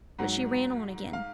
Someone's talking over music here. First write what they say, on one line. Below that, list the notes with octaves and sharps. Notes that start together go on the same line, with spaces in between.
But she ran on again.
G#2 F#3 F#5
F5